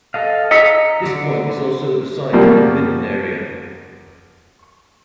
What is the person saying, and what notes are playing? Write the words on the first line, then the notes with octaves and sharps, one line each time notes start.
This point is also the site of a midden area.
A4 D#5 F5
D#5 A#5 E6 B6 C#7
D3
F#2 C#3 F3 G3 A#3